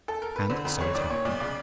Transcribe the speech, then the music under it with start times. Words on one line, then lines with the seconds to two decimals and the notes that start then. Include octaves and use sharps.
And so it happened.
0.08 A4
0.22 A#4
0.36 B4
0.50 D3 C5
0.65 F2
0.80 G1 C#5
0.95 D#3 D5
1.10 A#2 C#5
1.25 B1 D5
1.40 C#3 D5